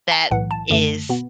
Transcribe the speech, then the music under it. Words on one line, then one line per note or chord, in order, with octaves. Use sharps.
that is
A5
B1 A2 E3 F#5
A5
F#2 D3 A3
B2 B3